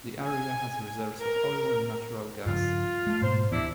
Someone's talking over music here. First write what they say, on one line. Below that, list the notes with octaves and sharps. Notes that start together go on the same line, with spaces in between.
The area has reserves of oil and natural gas.
G#5
A#4
G2 C#3 F3 F4
G#3 A3
G#2 B2 A#3 C5
D1 C3 E3 B3 D4 E4